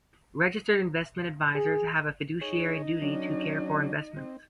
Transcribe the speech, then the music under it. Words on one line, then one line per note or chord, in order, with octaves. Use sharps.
Registered investment advisors have a fiduciary duty to care for investments.
G#4
D#4 G#4 C#5 D#5
F#3 C#4 D4
C4